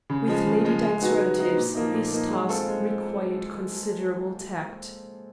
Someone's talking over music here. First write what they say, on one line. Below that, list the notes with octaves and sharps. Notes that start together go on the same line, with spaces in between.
With Lady Dyke's relatives his task required considerable tact.
C#3
F3 G#3
C#3
F3 G#3
G#3
B3 D#4 F#4
G#3
B3 D#4 F#4
A#2
F3 A#3 D#4
A#2
F3 A#3 D#4
G#3
C4 F4 A4
G#3